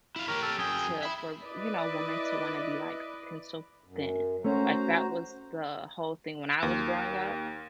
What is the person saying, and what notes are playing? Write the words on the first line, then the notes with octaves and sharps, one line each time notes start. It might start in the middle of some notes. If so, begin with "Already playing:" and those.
to, for, you know, women to wanna be like pencil thin, like that was the whole thing when I was growing up,
E4 F5
G4 A#4 C#5
A4
F#2 G#4 G5
E5 B5
E4 B4 D5 D#5
F#2
A3 C#4 F#4 C5 A#5
D#2